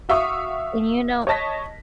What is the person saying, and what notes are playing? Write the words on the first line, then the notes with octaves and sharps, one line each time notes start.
And, you know
F#4 E5 F5 C#6 D#6
C#5 D#5 A5 A#6 B6